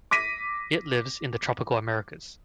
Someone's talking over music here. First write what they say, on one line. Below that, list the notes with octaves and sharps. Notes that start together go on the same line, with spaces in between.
It lives in the tropical Americas.
D6 A#6 B6 D#7